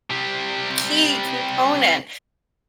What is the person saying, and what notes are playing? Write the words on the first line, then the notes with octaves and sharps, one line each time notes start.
key component
C3 G3